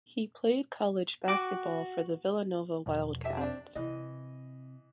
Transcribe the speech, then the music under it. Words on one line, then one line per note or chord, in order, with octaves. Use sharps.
He played college basketball for the Villanova Wildcats.
F#4 G5 D6 D7
E2 B2 F3
G4 E5
C4 D4
C3 E3 D#5